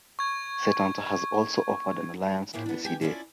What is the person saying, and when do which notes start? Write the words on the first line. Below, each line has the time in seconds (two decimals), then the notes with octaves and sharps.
Setanta has also offered an alliance to the Sidhe.
0.19 C#6 G#6
2.53 A2 F3 A#3 E4 G#4
2.66 B3 D4
2.85 G4 G#5
3.01 C#4 D4 E4 F4 D5